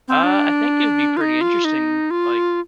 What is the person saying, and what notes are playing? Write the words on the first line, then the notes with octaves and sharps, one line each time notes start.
Uh, I think it would be pretty interesting, like,
C4
D4
F4
D#4
F4
D#4
F4